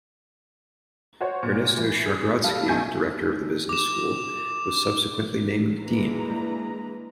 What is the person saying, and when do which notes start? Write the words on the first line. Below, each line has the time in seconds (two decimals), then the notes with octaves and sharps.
Ernesto Schargrodsky, director of the business school, was subsequently named dean.
1.21 F#4 C5 C#5
1.43 A#2
1.77 E3
2.06 G#4
2.44 G3 A4 F5
2.68 B1 A3 G#5 G6 G#6
3.69 D6 E7
5.81 E3 G#3 A#3 D4 B4 A#5